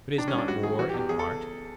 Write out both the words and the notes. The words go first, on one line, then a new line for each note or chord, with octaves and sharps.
But is not war an art?
D#3 D4
C#4
G2
D4
G2 F#4
D#3 G#4
E3 F#4
G4
E2
G4
E2 G#4
A4